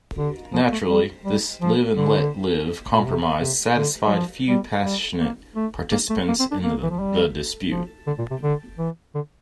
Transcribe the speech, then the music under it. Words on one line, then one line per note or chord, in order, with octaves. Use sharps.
Naturally, this live-and-let-live compromise satisfied few passionate participants in the dispute.
D3
F3
A3
G3
G3
F3
D3
A#2
C3
C3
D3
G3
F3
G3
G3
A#3
A3
A#3
A3
A#3
C4
D4
A#3
E3
F3
G3
F3
D3
A#2
C3
D3
E3
D3